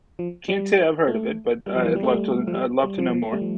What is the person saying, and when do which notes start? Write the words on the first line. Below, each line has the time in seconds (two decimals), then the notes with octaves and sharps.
can't say I've heard of it, but I'd love to I'd love to know more.
0.19 F3
0.48 G3
1.08 A3
1.66 G3
1.76 F3
1.85 E3
1.96 G3
2.03 A3
2.11 G3
2.47 F3
2.54 G3
2.84 G3
2.98 F3
3.13 F3
3.22 A3
3.33 G3
3.42 F3